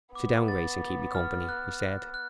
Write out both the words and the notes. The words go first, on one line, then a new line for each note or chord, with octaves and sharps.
"Sit down, Grace, and keep me company," he said.
B3 D6
A6
D6
F6
F#6
F#6
F#6